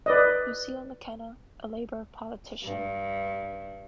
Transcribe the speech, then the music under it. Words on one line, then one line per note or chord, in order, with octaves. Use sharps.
Lucille McKenna, a Labor politician.
B4 D5 D#5
G2